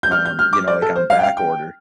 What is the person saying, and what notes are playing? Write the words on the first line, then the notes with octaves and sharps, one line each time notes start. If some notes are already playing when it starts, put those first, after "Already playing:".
um, you know, like, on back order.
G6
F6
G6
F6
D6
D5
A4
C5
F5
G5
F5
G5